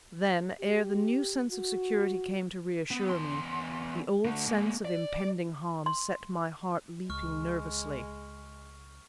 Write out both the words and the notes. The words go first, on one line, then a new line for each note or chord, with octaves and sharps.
Then, ere the new sense of security came to reassure me, the old sense of impending harm set my heart leaping nervously.
G4
F#4
B3
E2 C6
D3 A3
G#3 A#3
D5
C6
C#2 G#3 C#6 F6